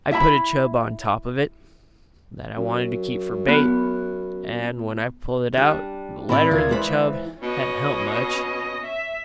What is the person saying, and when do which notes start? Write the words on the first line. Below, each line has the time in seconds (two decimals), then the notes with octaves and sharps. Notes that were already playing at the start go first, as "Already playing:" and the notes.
I put a chub on top of it that I wanted to keep for bait, and when I pulled it out--the letter--the chub hadn't helped much.
0.11 E4 E5 G5 B5
2.57 F#2
3.48 B3
5.53 G3 D4
6.29 A2 G#3 C4 E4 D5 B5
6.51 D2 F4 A#4 G#6
6.71 E3 G#3 C5 B5
7.42 B2 C#4 D#5
8.84 E5